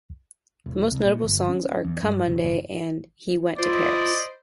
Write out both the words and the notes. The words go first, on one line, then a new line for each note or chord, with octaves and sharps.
The most notable songs are "Come Monday" and "He Went to Paris".
E1
C2
A#2
G1
C#4
E2
G2
E1
F#1
E4 F4 C5 D5 D#5